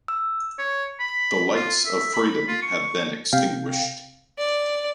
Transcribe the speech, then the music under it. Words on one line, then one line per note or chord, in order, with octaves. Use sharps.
The lights of freedom have been extinguished.
E6
C#5
B5
F4
E5
B5
F4
C#6
C3 F5 G5
D5